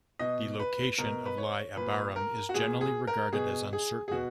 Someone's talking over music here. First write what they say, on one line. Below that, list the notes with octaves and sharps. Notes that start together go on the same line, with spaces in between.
The location of Iye Abarim is generally regarded as uncertain.
B2 D#5
B4
B2 A#4
B4
C#5
A#2 B4
A#4
F#4
A#2 G#4
G#4
A#4
B2 G#4
G#4
G#4
B2 F#4